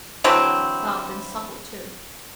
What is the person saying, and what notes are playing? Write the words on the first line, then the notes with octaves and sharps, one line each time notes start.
Soft and supple too.
D3 E3 F#3 C4